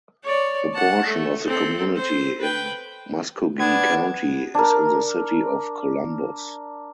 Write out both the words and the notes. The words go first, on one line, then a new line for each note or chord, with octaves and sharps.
The portion of the community in Muscogee County is in the city of Columbus.
C#5 D5
F#5 A5
A3
C4 A4
C5
B4 G5
B3 D4 G#6
D4 A#4